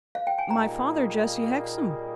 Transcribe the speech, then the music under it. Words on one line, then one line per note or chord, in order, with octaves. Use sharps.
'My father, Jesse Hexam.'
F5
G5
G#5
A#2 G3 A#3 D#4 G#4 G5 A#5